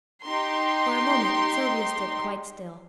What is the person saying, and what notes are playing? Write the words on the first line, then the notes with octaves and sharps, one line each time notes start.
For a moment Sylvia stood quite still.
D#4 G4 C6